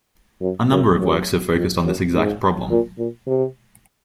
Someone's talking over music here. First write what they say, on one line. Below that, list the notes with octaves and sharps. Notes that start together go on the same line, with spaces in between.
A number of works have focused on this exact problem.
F#2
F#2
F#2
F2
F#2
G#2
A#2
A#2
C3